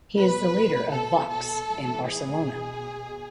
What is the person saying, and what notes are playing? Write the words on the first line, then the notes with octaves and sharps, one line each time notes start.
He is the leader of Vox in Barcelona.
B2 B4
B2 A4
A4
A2 E3
G#4
B2